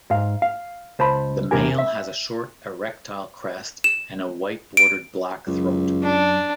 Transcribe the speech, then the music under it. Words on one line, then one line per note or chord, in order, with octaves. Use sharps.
The male has a short erectile crest and a white-bordered black throat.
G#2 F5
F5
C#2 C5 A5 B5
E2 C3 D4 G4 A#4 G#5
E5
E7
D7
C#2 F#2
D4